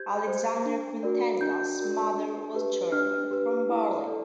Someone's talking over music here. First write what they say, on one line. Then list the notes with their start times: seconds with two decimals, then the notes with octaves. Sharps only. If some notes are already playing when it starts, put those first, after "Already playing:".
Alexandre Quintanilha's mother was German, from Berlin.
Already playing: G4 C5 G6 G#6
0.27 C5
0.66 D4
1.03 F#4 A#4 D5
1.41 D4 G6
1.80 F#4 A#4 D5
2.17 D4
2.54 G4 B4
2.92 D4 F6
3.31 G4 B4
3.69 E4
4.07 A4 D5